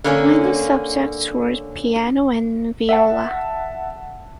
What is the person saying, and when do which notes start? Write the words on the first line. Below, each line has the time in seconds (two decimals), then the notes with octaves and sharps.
Minor subjects were piano and viola.
0.04 D3 A#3 C#4
2.89 E5 F#5 A5